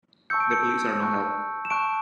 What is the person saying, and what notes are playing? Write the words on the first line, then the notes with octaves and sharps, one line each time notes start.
The police are no help.
A5 C#6 E6 G6 C#7
D7
C#7
A5 C#6 F#6
E7
A5 C#6 F#6 D7